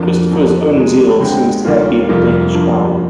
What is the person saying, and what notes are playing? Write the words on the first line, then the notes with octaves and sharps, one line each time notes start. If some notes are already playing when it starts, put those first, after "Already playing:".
Christopher's own zeal seems to have been the Danish crown.
Already playing: F2 D3 F3 A#3 D4
F2 D3 F3 A#3
D#3 G#3 D#4 G#4
D2 D3 G#3 C4 G4
D#2 D3 G3 A#3 F4
F2 C3 G3 A#3 F4
G2 F3 A#3